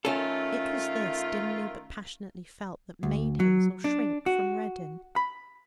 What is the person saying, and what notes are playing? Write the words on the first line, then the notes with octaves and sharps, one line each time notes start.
It was this, dimly but passionately felt, that made Hazel shrink from Reddin.
D#3 A3 C#4 F4 A4
D2
F#3
D4
F#4
B5